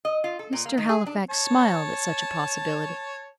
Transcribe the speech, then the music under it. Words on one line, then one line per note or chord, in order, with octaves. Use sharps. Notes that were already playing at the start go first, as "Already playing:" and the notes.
Mr. Halifax smiled at such a possibility.
D#5
F4
A4
A#2
A#3
D#3
G#4
D4
C#5 A5